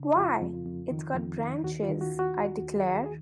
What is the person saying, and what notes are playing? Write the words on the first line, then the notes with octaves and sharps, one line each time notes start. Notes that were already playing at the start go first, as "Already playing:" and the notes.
Why, it’s got branches, I declare!
Already playing: C#3
F2 F4
F2
F2
D#3
F2
D#3
D#2 F#4
F4
D#3
F#4
D#2
F#4
D#2
D#2
G#4
D#3
G#4